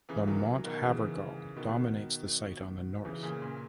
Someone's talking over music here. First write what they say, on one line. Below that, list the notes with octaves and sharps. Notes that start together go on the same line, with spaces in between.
The Mont Havergal dominates the site on the North.
C#3 E3
D#3 F#3
B2 D#3
C#3 E3
B2 D#3
C#3 E3
A#2 C#3
A#2